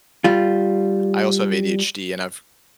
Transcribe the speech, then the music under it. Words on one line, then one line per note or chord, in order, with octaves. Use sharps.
I also have ADHD, and I've,
G3 F4